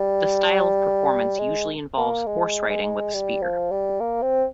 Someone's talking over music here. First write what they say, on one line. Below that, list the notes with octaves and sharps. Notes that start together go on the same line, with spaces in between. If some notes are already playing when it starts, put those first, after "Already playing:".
The style of performance usually involves horseriding with a spear.
Already playing: G3
G#3
A#3
G#3
G#3
G3
F3
G3
A#3
C4